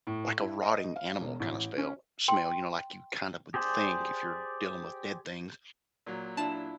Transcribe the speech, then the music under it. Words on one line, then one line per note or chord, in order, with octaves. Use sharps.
like a rotting animal kind of spell smell, you know, like, you kinda would think, if you're dealing with dead things,
A2
E4
D#5
F5
E1
A1
C#4
G5 C6
G4 G#4 C5 D5
A#2 F#3
D4 E4 F4 A5 E7